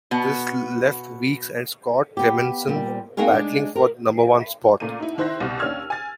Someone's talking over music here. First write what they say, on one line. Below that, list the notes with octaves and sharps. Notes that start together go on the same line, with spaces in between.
This left Weekes and Scott Clemmensen battling for the number one spot.
B2 B3
B3 G4
A#2 G3
A#3 C4 D#4 F#4 G#4 A#4
G#3 D4 D#4
A#4
A#2 A3 A#3 D#7
D#4 E4
D#3 E4 C5 E5 F#6 A#6
C2 B2
D#2 C#4 D4 E6 F6 G#6
G#5 A6